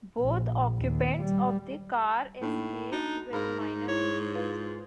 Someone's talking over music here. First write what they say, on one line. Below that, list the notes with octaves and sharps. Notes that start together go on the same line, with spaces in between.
Both occupants of the car escaped with minor injuries.
A#1
D#2
G3
A2 A#3 D4 D#4
D4 D#4 F#4
G#2 A#4 F5 A#5 B5
D#4
E4 C#5
F4 B4 F5